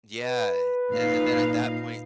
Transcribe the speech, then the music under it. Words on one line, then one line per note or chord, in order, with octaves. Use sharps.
Yeah. And and then at that point,
B4
A#2 D#4 F5